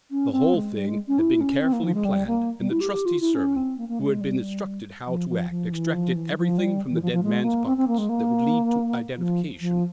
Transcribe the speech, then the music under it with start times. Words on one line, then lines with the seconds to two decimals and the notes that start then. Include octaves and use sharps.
The whole thing had been carefully planned, and the trusty servant, who had been instructed how to act, extracted everything from the dead man's pockets that would lead to identification.
0.11 C#4
0.32 C4
0.54 G#3
0.76 G3
0.87 G#3
1.08 C#4
1.19 E4
1.41 C#4
1.61 C4
1.73 A#3
1.83 F3
1.94 G#3
2.05 G3
2.27 A#3
2.59 G3
2.70 E4
2.81 G4
2.92 G4
3.06 F4
3.21 E4
3.35 C#4
3.56 C4
3.78 A#3
3.89 A#3
3.99 G#3
4.21 G3
5.07 F3
5.29 F3
5.50 F3
5.72 E3
5.94 F3
6.15 E3
6.32 G3
6.37 F3
6.58 G3
6.91 E3
7.02 F3
7.12 F3
7.23 G#3
7.44 A#3
7.66 C4
7.77 C4
7.88 A#3
7.98 G#3
8.09 A#3
9.18 F3
9.60 F3